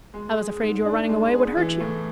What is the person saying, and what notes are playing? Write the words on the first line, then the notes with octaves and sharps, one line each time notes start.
"I was afraid your running away would hurt you."
G#3
G#4
G#2
D4
G#3
G#4
E3
A2